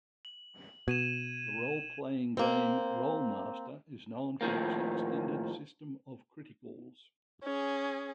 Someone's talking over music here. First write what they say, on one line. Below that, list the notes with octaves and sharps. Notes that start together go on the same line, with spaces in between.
The roleplaying game "Rolemaster" is known for its extended system of criticals.
F#7
B2 G#6 D#7 E7
A#3 C4
A2 D#3 F3 A#3
C#4 G#4